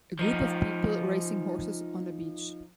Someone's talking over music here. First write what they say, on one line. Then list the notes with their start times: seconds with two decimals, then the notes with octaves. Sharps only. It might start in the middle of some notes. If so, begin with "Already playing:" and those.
A group of people racing horses on a beach.
0.19 F3 D#4